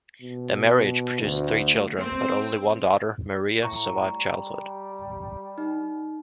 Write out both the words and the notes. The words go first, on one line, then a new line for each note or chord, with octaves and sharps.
Their marriage produced three children, but only one daughter, Maria, survived childhood.
B2
D2
C4
A2 A#5 C#6
G3
D#4